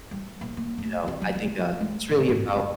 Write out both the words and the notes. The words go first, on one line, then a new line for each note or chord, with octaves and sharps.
uh, you know, I think, uh, it's really about,
G3
A#1
A#3
D1
C4
F#3
F4
G#3
A2
G#2
F#2